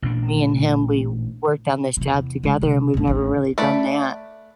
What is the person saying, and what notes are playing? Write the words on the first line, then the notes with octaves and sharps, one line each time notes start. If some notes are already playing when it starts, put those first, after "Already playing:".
me and him, we worked on this job together, and we've never really done that,
A1 A#2 D4
E2 C3
C#3 G#3
C3
A1 D#2
A1 D4
A3 B4 D5